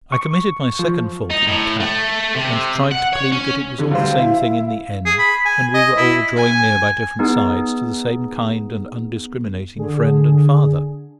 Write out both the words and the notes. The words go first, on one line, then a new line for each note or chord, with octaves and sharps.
I committed my second fault in tact, and tried to plead that it was all the same thing in the end, and we were all drawing near by different sides to the same kind and undiscriminating Friend and Father.
C#6
F3
D#4
A2
A3
C3
F#5
C#5
C#4
G#1 D3
D2 G3 C5 F5
E4
G#4
B5
G#5
D#5
E4
G#5
B3 D#4 G#4
D3 G#4